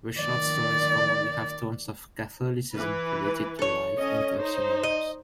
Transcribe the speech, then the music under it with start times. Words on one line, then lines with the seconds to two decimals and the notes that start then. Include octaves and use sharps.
The short stories commonly have tones of Catholicism related to life and death scenarios.
0.18 D#3 D5
2.73 E3 B4
3.59 A4 C#5
3.97 C#4 D#5
4.40 D#4 C5
4.83 D#5